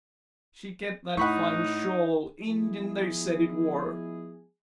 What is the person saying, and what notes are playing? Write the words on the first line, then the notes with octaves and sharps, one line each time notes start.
She kept that fine shawl, Indian they said it wor.
A2 D#4 F#5 B5 C#6
F3 G#3 B3 E4 G#4